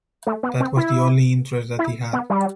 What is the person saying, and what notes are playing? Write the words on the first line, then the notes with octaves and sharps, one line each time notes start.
That was the only interest that he had.
A3
B3
C4
E4
E4
B3
G3